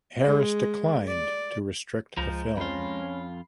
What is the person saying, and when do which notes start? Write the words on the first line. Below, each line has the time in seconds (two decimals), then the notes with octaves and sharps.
Harris declined to restrict the film.
0.24 G#3
1.08 D5
2.17 C#2 F3 G#3 C5 A#5
2.57 F2 C#4 F4 B5 C7